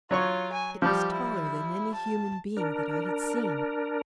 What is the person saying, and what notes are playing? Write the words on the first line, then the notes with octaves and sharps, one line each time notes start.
It was taller than any human being that I had seen.
F#3 F4 C#5 C#6
G#5
F3 G3 G4
E4
A5
D4 A#4